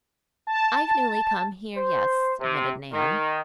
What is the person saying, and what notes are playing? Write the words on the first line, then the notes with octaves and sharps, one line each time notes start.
"I've newly come here, yes," admitted Nan.
A5
C5
C3
D#3